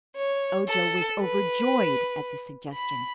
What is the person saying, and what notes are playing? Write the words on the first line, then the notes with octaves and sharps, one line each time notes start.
Ojo was overjoyed at this suggestion.
C#5
A4
B4
B5